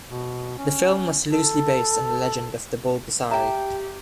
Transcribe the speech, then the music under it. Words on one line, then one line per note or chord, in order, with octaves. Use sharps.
The film was loosely based on the legend of the Bulgasari.
B2
C#4
A4
G4 E5 G5 A5 A#5